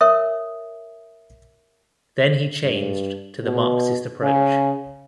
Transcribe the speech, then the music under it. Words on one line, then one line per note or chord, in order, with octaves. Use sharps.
Then he changed to the Marxist approach.
A#4 C#5 E5 D#6
G2
B2
C#3